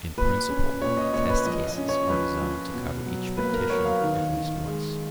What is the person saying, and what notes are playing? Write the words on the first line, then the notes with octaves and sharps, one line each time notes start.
In principle, test cases are designed to cover each partition at least once.
A#2 B4
C#4
A#2 C#5
D#5
A#2 C#5
B4
F3 D#5
D#5
C#4
C#5
F3 B4
F3
B2
F#3
A#3 B4
A#4
F#3 C#5
F5
D#3
D#3
G#3